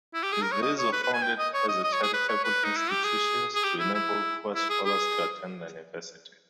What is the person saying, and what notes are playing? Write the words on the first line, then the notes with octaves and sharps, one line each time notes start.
These were founded as charitable institutions to enable poor scholars to attend the University.
E4
G4
G#4
A#4
C#5
D#5
C#5
B4
B4
G#5
G5
D#5
C#5
D#5
D#5
C#5
G#4
B4
C#5
B4
D#4
E4
G4
G#4
G#4
G4
E4
E4
E4
G#4
G#4